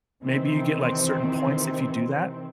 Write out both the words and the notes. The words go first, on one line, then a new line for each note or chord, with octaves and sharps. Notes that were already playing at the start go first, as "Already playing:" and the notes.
maybe you get, like, certain points if you do that,
C3 D#3 E3 C4